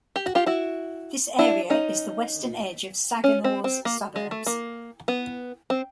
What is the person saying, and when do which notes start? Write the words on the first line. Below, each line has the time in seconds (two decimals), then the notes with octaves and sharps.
This area is the western edge of Saginaw's suburbs.
0.16 G4
0.26 F#4
0.35 F4 G4
0.46 E4 F#4
1.39 D4 E4
1.70 C#4 D#4
3.24 C#4
3.44 C4
3.64 C4
3.85 A#3
4.16 G#3
4.31 A3
4.47 A#3
5.08 B3
5.70 C4